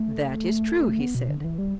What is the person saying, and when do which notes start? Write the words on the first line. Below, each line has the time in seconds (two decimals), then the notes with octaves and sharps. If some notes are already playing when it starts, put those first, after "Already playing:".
That is true, he said.
Already playing: A3
1.00 B3
1.15 B2
1.28 D3
1.40 D3
1.44 E3
1.58 G3